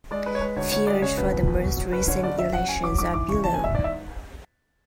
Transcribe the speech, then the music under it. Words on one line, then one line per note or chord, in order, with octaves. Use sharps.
Figures for the most recent elections are below.
G#3 D5
G#3 B4
C#5
G#3 B4
D2 C#5
D2 C#5
G#3 D5
C#3 C#5
D2 B4
E2
E2
B2
F#3
F#1 B4
D3 C#5
F#1 D5
F#1 E5
F#3 F#5
C#4 G#5
F#3 D6
G#2 D6
E3 D6
C#3 C#6
E2 A5
G#5
E2 E5
G#2 D5
E5